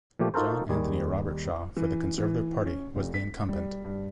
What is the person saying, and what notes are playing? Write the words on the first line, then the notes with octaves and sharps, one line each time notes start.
John Anthony Robertshaw for the Conservative Party was the incumbent.
A#2 F3 A3 G4
D#4 F4 F#4 A4 A#4 C5
D#2 D#3 G3 G#4
E3
E3
C#4
F1
B6
G3
G2